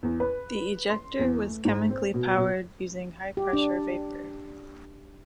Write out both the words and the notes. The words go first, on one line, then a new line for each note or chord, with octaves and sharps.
The ejector was chemically powered using high pressure vapour.
E2
B4
C6
E2
A3
G#2
C4
B2
B2
G4
D4